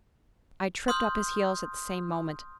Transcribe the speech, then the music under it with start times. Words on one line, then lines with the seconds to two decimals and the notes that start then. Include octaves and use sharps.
I tripped up his heels at the same moment.
0.88 C6 D#6 F6 G6